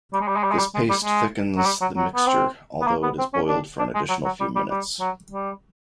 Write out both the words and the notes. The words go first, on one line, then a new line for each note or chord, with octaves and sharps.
This paste thickens the mixture, although it is boiled for an additional few minutes.
G3
G#3
G3
G#3
G3
G#3
G3
G#3
G3
G#3
F#3
G3
F#3
F#3
B3
C4
B3
A#3
B3
C4
C#4
D4
D4
G#3
F#3
F#3
G3
G3
G3
F#3
G3